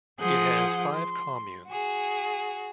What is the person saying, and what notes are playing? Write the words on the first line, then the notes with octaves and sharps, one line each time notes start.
It has five communes.
F3 G#4 F#5 G6
C6
F#4 G#4